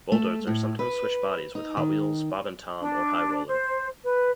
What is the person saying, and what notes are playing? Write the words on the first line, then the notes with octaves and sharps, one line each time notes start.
Bulldozer sometimes switched bodies with Hot Wheels, Bob and Tom, or High Roller.
A3
A2
B4
D#4
D#3
D4
C5
B4